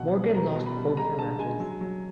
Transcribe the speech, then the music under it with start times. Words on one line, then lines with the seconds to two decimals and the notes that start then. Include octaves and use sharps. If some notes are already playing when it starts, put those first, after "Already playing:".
Morgan lost both her matches.
Already playing: B2 F#3 F#5
0.14 F#3
0.35 B2 A#5
0.56 B2
0.66 B5
0.77 G3
0.97 G#3 A#5
1.18 D3 A5
1.39 G#3 G#5
1.60 F#3
1.81 F#3